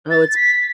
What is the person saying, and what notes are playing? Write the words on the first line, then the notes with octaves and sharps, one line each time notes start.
Oh, it's
A6
B6